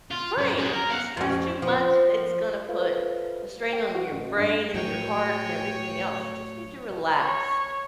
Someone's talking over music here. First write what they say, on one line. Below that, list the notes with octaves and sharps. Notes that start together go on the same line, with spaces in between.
right! You stress too much, it's gonna put a strain on your brain, and your heart, and everything else, you just need to relax.
F4
F#2
F#2 G#4
A#4
F5 F#5
F2 C#4
F3
F4 A4 B4 C5 E5 F5
G5
F#4
A1
G2
A2 F#3 C#5 G5 G#5
C#5